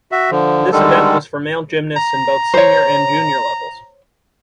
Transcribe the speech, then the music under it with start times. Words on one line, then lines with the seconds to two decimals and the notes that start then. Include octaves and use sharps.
This event was for male gymnasts in both senior and junior levels.
0.12 F#4 E5
0.31 D3 F3
0.72 D3 D#3 G3 G#3 A4
1.96 A#5
2.54 C5 C#5